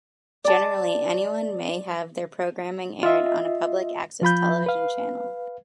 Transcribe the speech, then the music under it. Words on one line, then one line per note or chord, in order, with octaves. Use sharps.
Generally, anyone may have their programming aired on a public-access television channel.
D5 A5
F4 D#5 E5
F3 F4 B5 G6
B4 F5